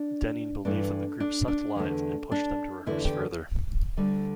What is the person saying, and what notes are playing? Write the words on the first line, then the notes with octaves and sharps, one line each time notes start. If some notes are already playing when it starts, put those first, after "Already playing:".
Denneen believed that the group "sucked live" and pushed them to rehearse further.
Already playing: D4
G2 E3 A3 D4
D4
D4
E2 D3 A3
D4
E2 D3 A3 E4
G4
D2 D3 G3